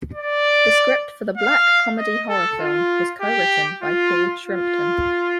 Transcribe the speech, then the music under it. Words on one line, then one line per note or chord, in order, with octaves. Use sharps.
The script for the black comedy horror film was co-written by Paul Shrimpton.
D5
F5
D#5
A4
F4
G4
F4
F4